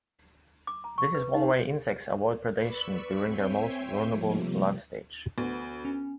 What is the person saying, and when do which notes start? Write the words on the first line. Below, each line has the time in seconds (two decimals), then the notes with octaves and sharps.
This is one way insects avoid predation during their most vulnerable life stage.
0.67 D6
0.84 A#5
0.98 C#6
1.15 B4
1.34 D#4
2.56 B4 D5 B5 C#6 E6
3.23 C4 C#5 E5 G5 G#5 C6
4.07 C3 F3 G3 A3 A#3
5.38 D2 B3
5.85 C#4